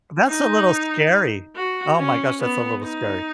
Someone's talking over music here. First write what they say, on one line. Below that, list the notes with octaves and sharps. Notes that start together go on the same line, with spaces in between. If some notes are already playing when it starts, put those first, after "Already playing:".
That's a little scary. Oh, my gosh, that's a little scary.
D#4
F#4
C#4
B3
D#4